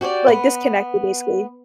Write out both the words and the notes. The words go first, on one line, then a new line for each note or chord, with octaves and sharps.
like, disconnected, basically.
F#4 G4 C#5 D5
B3